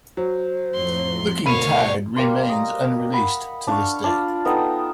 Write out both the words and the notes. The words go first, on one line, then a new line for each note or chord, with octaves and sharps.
"Looking Tired" remains unreleased to this day.
F#3 C5
F2 A2 C6
D2 B2 A#4 C#5 F5 B5 D#7
G3 A#3 C6
D#5 A#5
F#5 B5
D4 F5 F#5 C#6
D4 F4 D5
B3 D#4 A4 G5